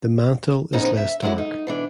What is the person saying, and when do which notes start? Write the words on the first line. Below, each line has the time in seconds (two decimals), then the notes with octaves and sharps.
The mantle is less dark.
0.73 D2 A#2 C#3 F3 B3 D#4
0.97 E5
1.22 F#3 G#3 B3 E4 F#4
1.38 D#4
1.67 B2 E3 D4